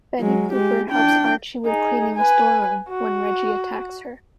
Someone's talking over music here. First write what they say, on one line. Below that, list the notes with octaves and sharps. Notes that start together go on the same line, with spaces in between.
Betty Cooper helps Archie with cleaning a store room, when Reggie attacks her.
F#3 G#3
G#3 G4
D4 G5
D#4 G#4
B4 G#5
F#4